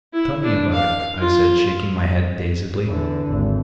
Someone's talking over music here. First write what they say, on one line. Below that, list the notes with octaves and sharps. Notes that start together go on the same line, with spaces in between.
"Tell me about it," I said, shaking my head dazedly.
E4
D4
F5
F4
E2 D3
G#1